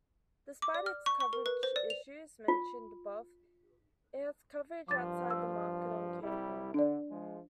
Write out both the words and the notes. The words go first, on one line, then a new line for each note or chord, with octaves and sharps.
Despite its coverage issues mentioned above, it has coverage outside the market on cable.
D6
D5
F6
C#6
C#6
A#4
B4
C5
D5
F7
F4
G2 F3 D6 A6
E6
C2 G3 E4
D3 D4 D5
F3 G#3